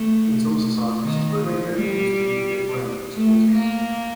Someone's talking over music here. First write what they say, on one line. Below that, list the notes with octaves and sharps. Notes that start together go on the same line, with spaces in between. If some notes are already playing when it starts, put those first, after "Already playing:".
In some societies, clothing may be used to indicate rank or status.
Already playing: A3
D#3
F3
G3
A3
A#3